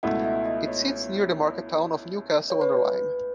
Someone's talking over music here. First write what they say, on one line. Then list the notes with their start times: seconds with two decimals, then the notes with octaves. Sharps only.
It sits near the market town of Newcastle-under-Lyme.
0.03 C#2 B2 A3 E4 F#5
0.15 D#5
0.24 E5
0.45 D#5
0.68 C#5
2.50 C#5
2.61 B4